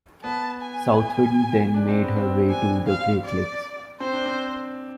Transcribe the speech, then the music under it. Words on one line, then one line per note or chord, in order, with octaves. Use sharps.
"Southwind" then made her way to the Great Lakes.
B3 A5
G#5
D4
C4
B3
C4
C4
D4 G#5
F5
D5
C4 C5
D4
C4